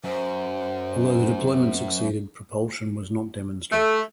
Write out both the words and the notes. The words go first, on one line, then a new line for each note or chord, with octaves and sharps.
Although the deployment succeeded, propulsion was not demonstrated.
F#2 C5
A3